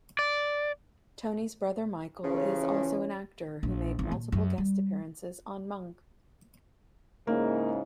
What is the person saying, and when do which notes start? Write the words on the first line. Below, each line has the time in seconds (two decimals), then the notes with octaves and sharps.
Tony's brother Michael is also an actor who made multiple guest appearances on "Monk".
0.19 D5
2.24 D2 C#3 E3 F3 C#4
3.63 A#1
3.99 G#1
4.12 A#2
4.32 F#2
4.58 G3
7.27 G#2 C#3 A#3 E4